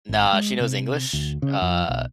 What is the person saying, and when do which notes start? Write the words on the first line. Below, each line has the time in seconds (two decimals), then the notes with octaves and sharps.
nah, she knows English. Uh,
0.09 G#1
0.33 G#3
0.60 C3
1.13 D2
1.42 C#3
1.62 F2
1.89 B1